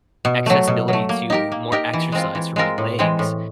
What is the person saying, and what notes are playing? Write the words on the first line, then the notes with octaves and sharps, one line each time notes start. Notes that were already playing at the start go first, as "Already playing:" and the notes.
accessibility to more exercise for my legs.
B2
F#3 A3
B2
F#3 A3
A#3
D#4 G4 A#4
A#3
D#4 G4 A#4
E3
G#3 C4 F4 A#4
E3
G#3 C4 F4 A#4
A2
E3 G#3 C4
A2